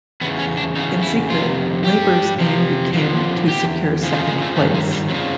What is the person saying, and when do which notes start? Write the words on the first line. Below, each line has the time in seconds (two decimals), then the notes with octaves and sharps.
In secret, Labour's aim became to secure second place.
0.21 E2 C#3 B3
0.39 C#4
0.57 D4
0.75 E2 C#3 D#4
1.03 E4
1.30 F2 C3 D#3 F4
1.84 G2 E3 G4
2.39 F2 C3 F3
2.93 F2 D3 F3
3.47 E2 B2 G4
4.02 F2 C#3 F3
4.15 A3
4.28 G#3
4.42 A3
4.56 G2 D#3 A3
4.74 G#3
4.92 G3
5.09 F2 F#3
5.12 C#3 F3